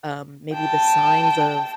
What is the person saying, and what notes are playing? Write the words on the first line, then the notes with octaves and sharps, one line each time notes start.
Um, maybe the signs of
G5 A5